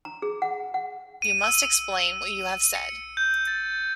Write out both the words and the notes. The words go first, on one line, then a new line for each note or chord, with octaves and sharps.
You must explain what you have said.
A#5
G#4
F#5
F#5
D#7
E6
C#7
G6
A6